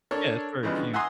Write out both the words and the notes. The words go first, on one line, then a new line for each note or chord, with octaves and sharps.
Yeah, it's very cute.
D4 A4 A#4 C#5
C#3 E3 F3 G3 G#3 B3
D3
E5 F#5 G#5 A#5 C6 D#6